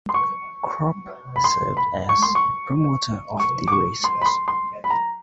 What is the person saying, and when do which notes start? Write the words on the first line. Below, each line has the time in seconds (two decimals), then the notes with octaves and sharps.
Kropp served as promoter of the races.
0.09 C6
0.14 C#6
1.36 B5
1.44 C6
1.77 B5
2.09 C#6
2.22 C6
2.35 C#6
3.40 C#6
3.68 D6
3.72 C#6
4.04 C6
4.21 B5
4.26 C6
4.48 C6
4.84 B5
4.90 A#5